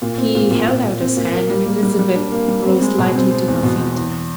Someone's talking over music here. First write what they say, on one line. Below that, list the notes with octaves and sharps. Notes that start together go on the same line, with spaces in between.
He held out his hand and Elizabeth rose lightly to her feet.
A#2
C4
A#2
A#2
A#2
A#2
C4
A#2
A#3
G3
A#3
G3
G3
D4
A#3
G3
C4
G#3
B2
C4
C4
E2
B2
B2
E2